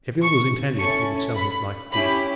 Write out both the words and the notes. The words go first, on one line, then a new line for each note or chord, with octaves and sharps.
If ill was intended, he would sell his life dear.
C#6
C#4 E4 A4 C#6
B5
C#4 E4 G4 B5